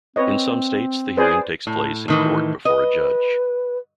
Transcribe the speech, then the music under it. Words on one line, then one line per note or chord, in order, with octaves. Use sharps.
In some states, the hearing takes place in court before a judge.
C4 B4 C#5 D#5
G#4 B4 C5 D5
A2
A2 D#3 E3
B4 D#5